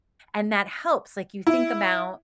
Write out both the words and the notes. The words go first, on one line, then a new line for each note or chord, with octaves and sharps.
and that helps. Like you think about
E4